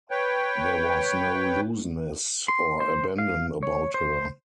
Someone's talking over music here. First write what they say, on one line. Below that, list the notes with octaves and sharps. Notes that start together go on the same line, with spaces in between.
There was no looseness or abandon about her.
B4 C#5 G5
C6
C5
F5
C#5
C5